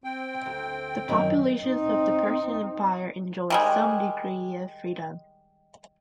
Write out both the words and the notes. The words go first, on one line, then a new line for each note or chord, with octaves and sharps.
The populations of the Persian Empire enjoyed some degree of freedom.
C4 G5
D2
F#2 D#3
C4 D#4
D#3 G3 G#3